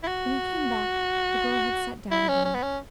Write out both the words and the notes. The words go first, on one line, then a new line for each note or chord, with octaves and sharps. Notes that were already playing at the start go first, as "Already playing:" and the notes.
When he came back the girl had sat down again.
E4
F#4
E4
C#4
C#4
B3
C#4